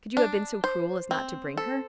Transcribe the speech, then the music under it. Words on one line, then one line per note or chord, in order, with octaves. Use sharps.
"Could you have been so cruel as not to bring her?"
D4
C5
C4
A4